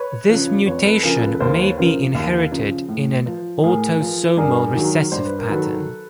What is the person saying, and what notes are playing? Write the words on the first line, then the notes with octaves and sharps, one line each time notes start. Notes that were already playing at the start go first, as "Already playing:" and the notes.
This mutation may be inherited in an autosomal recessive pattern.
Already playing: B4 C#5
C#3 F3
F2 B4 C#5
A4 B4
C#3 F3 G#4 A#4
A4 B4
B4
D#2 A#4 C5
B4 C#5
C#3 F3 A#4 C5
D#2
C#3 F3
A2
F3
A2 G#4 A#4
F3
G2 G#4 A#4
D#3 F#3
G2 C5
B4
A#4
D#3 F#3 A4 B4